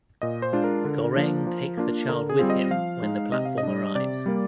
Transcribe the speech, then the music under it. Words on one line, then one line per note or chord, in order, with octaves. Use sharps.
Goreng takes the child with him when the platform arrives.
A#2 D#5
C5
G#3 D4 F4
A#4
D3
F3 A#3 D4
F3
A#3 D4 F4
D3 A#4
G#4
G3 C4 F4
D#5
F3 F5
G#3 D#4
C3 D#5
F5
D#5
G3 D4
C3 D5
G3 A#3